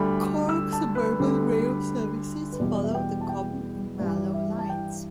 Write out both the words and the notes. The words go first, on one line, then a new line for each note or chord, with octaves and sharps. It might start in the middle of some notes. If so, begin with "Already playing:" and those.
Cork Suburban Rail services follow the Cobh and Mallow lines.
Already playing: D2 D3 G3 B5
E6
A5
B4
D2 D3 G3
B4
E2 B2 G3 D5
D5
E5
G5
A5
G5
G2 E3 G3 D5
E5
A5
G5